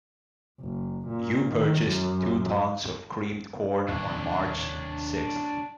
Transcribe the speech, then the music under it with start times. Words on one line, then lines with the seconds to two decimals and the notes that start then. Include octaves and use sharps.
You purchased two tons of creamed corn on March sixth.
0.60 F#1
1.07 A#2
1.51 D#3
1.82 F#2
3.88 D#1 A2 C3 D4 C#5